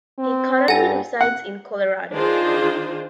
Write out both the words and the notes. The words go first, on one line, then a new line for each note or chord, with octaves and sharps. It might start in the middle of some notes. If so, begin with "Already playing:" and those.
He currently resides in Colorado.
C4
G2 A4 F#5 G#5 A#5
F#5
D#3 D4 F4 G#4 C5